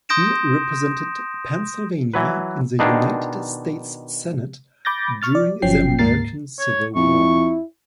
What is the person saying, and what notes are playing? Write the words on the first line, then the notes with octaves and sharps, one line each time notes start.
He represented Pennsylvania in the United States Senate during the American Civil War.
C6 D#6 G6 A#6 D7 E7
E3 F#3 B4
B2 D#3 D4 D#4 F4 G#4
B5 D6 G6 A6 A#6
C#6 F6 A6
D5
G1 F3 F#3 C#4 G5 C7
D2 G#2 A#3 A#4 A6 C7
C#5
F2 E4 C#6